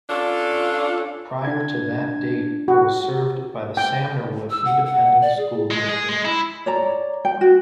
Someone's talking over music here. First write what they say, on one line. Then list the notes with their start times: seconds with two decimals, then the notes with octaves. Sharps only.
Prior to that date it was served by the Samnorwood Independent School District.
0.08 C#4 D4 F4 A4
1.44 D4 G#6
2.68 F#4
3.77 G5
4.50 E6
4.65 F#5
4.86 F#5
5.22 D5
5.38 G#4
5.71 G#3
5.89 G#4
6.08 G#3
6.25 E4
6.66 C#5 D5 A#5
7.25 G5
7.41 F#4